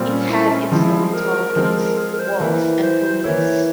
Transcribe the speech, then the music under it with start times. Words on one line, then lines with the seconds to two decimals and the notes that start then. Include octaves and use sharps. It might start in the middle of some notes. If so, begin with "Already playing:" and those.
It had its own tollgates, walls and police.
Already playing: A#2 G3 C4 F4
0.09 C#4
0.30 E4
0.50 C#4
0.72 F3 G#3 C4 E4
1.04 G#4
1.14 A#4
1.55 F3 G#3 C4 A#4
1.76 A#4
1.98 G#4
2.13 A#4
2.19 C5
2.40 E3 A#3 E4
2.82 C5
3.24 E3 A#3 E4 C#5